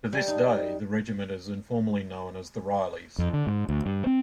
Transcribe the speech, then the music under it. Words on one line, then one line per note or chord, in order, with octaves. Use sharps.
To this day, the regiment is informally known as the Rileys.
G3
D#4
F2
D3
G#2
D2
G2
C4